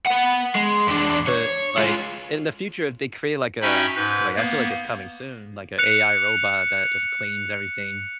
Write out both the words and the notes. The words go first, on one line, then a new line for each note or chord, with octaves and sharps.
but like in the future if they create like a like I feel like it's coming soon, like a AI robot that just cleans everything.
B4 F#5
G#3
E2 D4
C#5
G#3 F4
C#4 D#4 F#4 E5 G5 B5
G#2 B4 G6
A#3 B3
F#6 C#7 F7